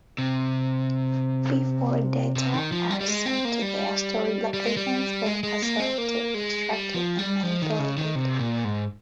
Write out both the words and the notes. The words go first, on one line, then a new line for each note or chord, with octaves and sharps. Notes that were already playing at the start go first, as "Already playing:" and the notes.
Before data are sent to their storage locations, they are selected, extracted, and manipulated.
C3
C3
D#3
F3
G3
G3
G#3
C4
A#3
G3
G3
G#3
G3
G#3
G#3
A#3
C4
A#3
G#3
G3
F3
G3
F3
D#3
C#3
D#3
C3
A#2
G#2